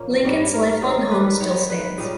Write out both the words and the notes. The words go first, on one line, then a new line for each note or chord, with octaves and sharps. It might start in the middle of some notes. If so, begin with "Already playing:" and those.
Lincoln's lifelong home still stands.
Already playing: A#2 A#3 C#4
G#2 G3 B3 C#5
A#4
D#3 A#3 C#4 G#4
B4
D#3 G#3 B3 C#5
B4
A#2 G3 C#4 G#4